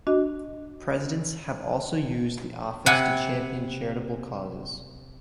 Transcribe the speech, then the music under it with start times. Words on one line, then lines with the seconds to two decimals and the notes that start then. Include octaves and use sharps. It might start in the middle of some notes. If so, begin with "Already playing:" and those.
Presidents have also used the office to champion charitable causes.
0.07 D4 F#4 D#5
2.86 C3 F#5 G#5 B5